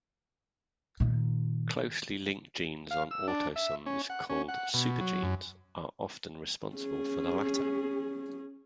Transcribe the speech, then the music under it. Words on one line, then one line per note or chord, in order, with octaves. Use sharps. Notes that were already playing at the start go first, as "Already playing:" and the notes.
Closely linked genes on autosomes called "supergenes" are often responsible for the latter.
A#2 D#3
F5
E6
D4
E5
C#4
F#5
C#4
F#5
B2
F#3
F#2
C#4 G#4